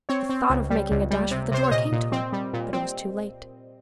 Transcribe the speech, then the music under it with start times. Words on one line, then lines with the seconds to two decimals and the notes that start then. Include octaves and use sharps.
The thought of making a dash for the door came to her, but it was too late.
0.09 C4 C#5
0.29 C4
0.50 C#2
0.70 G3
0.91 C#2
1.11 G3
1.31 C3
1.52 C3 C5
1.63 C#5
1.71 A#2 D#5
1.92 A#2
2.12 C4
2.33 G3
2.53 A#2
2.73 C4